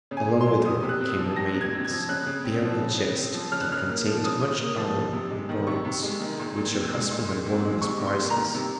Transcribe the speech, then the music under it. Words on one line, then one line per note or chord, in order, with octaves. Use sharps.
Along with her came her maidens, bearing a chest that contained much iron and bronze which her husband had won as prizes.
C#3
G#5
A#3
C6
F#3
C3 D#6
C3
F#6
C4
F3
C3 A#6
C3
G#6
C4
G#6
F3
C#3 F#6
C#3
C4
F3
C#3
C#3
C4
F3
C#3 F6
F#6
C#3 F6
A#3
F3
C#3 D#6
C#3
A#3
F3
C3
C3
G#3
D#3
C3 C#6
C3
G#3
D#3
A#2
A#2
C4
G#3
A#2
A#2
C4
G#3
C3 C#6
C3
C6
A#3
A#5
D#3
C3